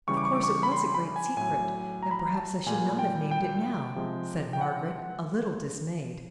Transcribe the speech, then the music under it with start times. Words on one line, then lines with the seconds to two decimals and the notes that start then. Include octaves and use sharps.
Of course, it was a great secret, and perhaps I should not have named it now,' said Margaret, a little dismayed.
0.08 C#3 E3 G3 C#6
0.17 D6
0.25 C#6
0.35 D6
0.44 C#6
0.63 B5
0.72 C6
0.94 B5
1.16 G#5
1.37 A2 F#3 G#5
2.03 A#5
2.11 B5
2.19 A#5
2.34 A5
2.66 A#2 G3 G#5
2.99 G5
3.31 G5
3.96 C3 F3 G#3
4.53 G5
4.61 F#5